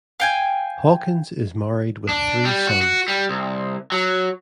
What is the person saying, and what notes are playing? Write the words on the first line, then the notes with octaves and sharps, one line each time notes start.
Hawkins is married with three sons.
F5 G5 G#5
D4
G3
F#4
F#4
G3
C2
F#3